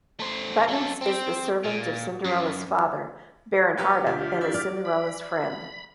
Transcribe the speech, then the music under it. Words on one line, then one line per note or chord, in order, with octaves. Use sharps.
Buttons is the servant of Cinderella's father, Baron Hardup, and is Cinderella's friend.
A3 C5
F#3 A4
C4
A#2
F#2
F#3 G4 B4
D2 F4 G4
D4 E4
D5 F6
B5